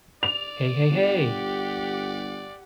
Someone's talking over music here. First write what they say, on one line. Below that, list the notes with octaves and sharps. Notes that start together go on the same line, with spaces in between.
Hey, hey, hey!
D5 F7
G1 G4 F#5